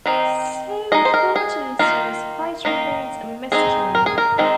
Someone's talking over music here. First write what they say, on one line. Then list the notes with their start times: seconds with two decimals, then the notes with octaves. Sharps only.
So Hortense's fate remains a mystery.
0.06 D#3 C4 D#4
0.92 G#3 D#4 D#5
1.05 C5
1.14 A#4
1.36 G#4
1.79 D#3 A#3 D#4 F4
2.65 D#3 A#3 D#4
3.52 G#3 C4 D#4 G#4
3.95 A#4
4.06 G#4
4.18 A#4
4.38 D#3 G#3 C4 D#4